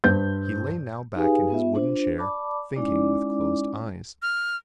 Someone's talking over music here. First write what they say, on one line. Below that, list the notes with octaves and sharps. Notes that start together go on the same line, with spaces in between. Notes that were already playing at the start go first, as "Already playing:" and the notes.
He lay now back in his wooden chair, thinking with closed eyes.
G2 C5 G6
D#4 G4 G#4 B4 F5 G#5
B3 F4 E5
D4 F4 C5
D5 A5 B5 D6
G#3 C#4 D#4 E4 D5 D6
F6